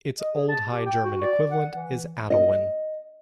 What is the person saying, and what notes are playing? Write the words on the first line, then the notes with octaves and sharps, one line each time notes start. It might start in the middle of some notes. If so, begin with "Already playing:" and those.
Its Old High German equivalent is Adalwin.
D#5
G#4
A5
G4
G5
F#4
D5
F#5
E3
D#5